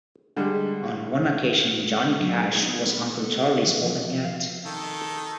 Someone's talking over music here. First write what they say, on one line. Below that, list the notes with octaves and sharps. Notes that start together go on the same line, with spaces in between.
On one occasion, Johnny Cash was Uncle Charlie's "opening act".
D3 G3 G#3
F#3
D#4
B3
B3
A4
F3
F3
F5
D#3 A4